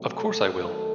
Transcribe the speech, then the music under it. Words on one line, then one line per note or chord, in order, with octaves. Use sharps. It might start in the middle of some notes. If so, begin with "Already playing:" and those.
Of course I will!
Already playing: C3 F#3 A3
A4
D#3 F#3 A3 A4